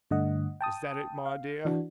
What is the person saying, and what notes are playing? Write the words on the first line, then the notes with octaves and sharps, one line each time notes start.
Is that it, my dear?'
G2 D3 A3 D#5 F#5
G5 A5 D#6
F5
E3 D4 F#4